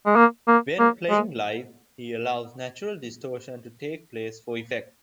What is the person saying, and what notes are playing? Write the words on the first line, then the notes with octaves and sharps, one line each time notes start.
When playing live he allows natural distortion to take place for effect.
G#3
A#3
A#3
A#3
G#3